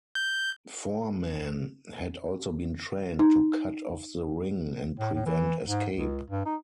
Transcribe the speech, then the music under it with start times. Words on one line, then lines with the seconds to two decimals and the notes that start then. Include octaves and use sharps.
Foreman had also been trained to cut off the ring and prevent escape.
0.15 G6
3.19 D#4
4.99 A2
5.14 A2
5.26 E3
5.68 G#2
5.94 C#2
6.30 G2
6.45 D#4